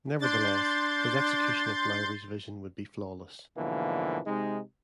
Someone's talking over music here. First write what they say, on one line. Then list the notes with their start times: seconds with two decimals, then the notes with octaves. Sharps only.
Nevertheless, his execution of Lowry's vision would be flawless.
0.20 D4 C6 G6 A6
3.57 G#2 B2 D3 E3 F3 A#3
4.27 C3 G#3 D#4